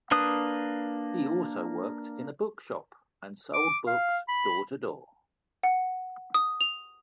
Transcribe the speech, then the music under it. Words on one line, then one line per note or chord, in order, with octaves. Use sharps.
He also worked in a bookshop and sold books door-to-door.
A#3 D4 B4 D#6
D6
F5
B5
F#5
D#6
F7